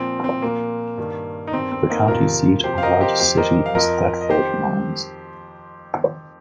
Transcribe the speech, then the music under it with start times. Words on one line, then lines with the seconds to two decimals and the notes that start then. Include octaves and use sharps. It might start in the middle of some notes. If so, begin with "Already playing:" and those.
The county seat and largest city is Thetford Mines.
Already playing: A#2 F3 C4
0.24 C4
0.42 A#2 F3 A#3
0.98 G2 D#3
1.47 D#4
1.53 G2 D#3 C4
1.72 C4
1.90 A#3 D#4
2.08 F2 C3 D#3 F4 A#4
2.64 F2 C3 F3 G4 C5
2.78 F5
2.83 A#4 D#5
3.01 G4 C5
3.19 F2 F3 G4 C5
3.37 A#4 D#5
3.66 F5
3.75 F2 F3 A#4 D#5
4.21 D#5
4.30 F2 D#3 G4 C5